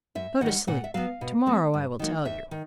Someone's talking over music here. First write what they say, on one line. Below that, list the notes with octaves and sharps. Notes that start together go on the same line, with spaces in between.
Go to sleep; to-morrow I will tell you.'
F#2 E5
D#3 G3 F#5
A#2 F#5
E5
F#3 B3 F5
B2
F#3 A3 C4
G2
D#3 F#3 A#3
D#2 E5
D#3